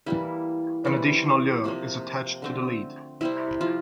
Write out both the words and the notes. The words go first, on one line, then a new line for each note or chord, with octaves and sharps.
An additional lure is attached to the lead.
E3 G3 A#3 E4
E3 G3 C4
C3 F3 A#3
D3 A3 C4
C3 G3 C4 E4
F3 F4